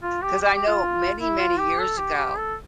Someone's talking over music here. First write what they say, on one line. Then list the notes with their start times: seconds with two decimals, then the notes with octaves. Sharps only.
'Cause I know many, many years ago,
0.03 F4
0.23 G4
0.41 G4
0.55 G4
0.67 F4
1.19 E4
1.39 F4
1.59 G4
1.79 A4
1.97 G4
2.17 G4
2.37 A4